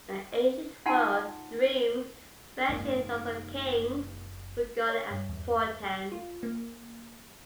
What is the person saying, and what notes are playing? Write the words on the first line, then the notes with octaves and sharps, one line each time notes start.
In the ancient world, dreams, especially those of kings, were regarded as portents.
D#4 F4 F#5 G#5 A5 C6
F#1 G#2 C3 D#3 A#3
C#5
G2
E2
F4
A#3